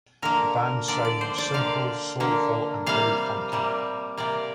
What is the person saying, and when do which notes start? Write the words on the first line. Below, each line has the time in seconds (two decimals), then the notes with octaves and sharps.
The band's sound was simple, soulful and very funky.
0.22 D3 A#3 A#4
0.88 D3 A#3 D5
1.05 D5
1.21 C5
1.38 D5
1.54 D3 A#3 F5
2.20 D3 A#3
2.86 C3 G3 A#3 F5
3.52 C3 G3 A#3
4.17 C3 A#3 D5